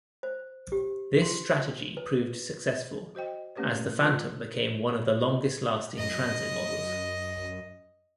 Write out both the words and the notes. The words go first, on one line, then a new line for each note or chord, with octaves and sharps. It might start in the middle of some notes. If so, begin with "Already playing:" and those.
This strategy proved successful, as the Phantom became one of the longest-lasting transit models.
C5
G4
C6
B4
F#4 C5 D#5 G5
A3 A#3 C#4 G4 B4 C#5
F3 C#4 F4 B4 A#5 C#6
F#2 D#5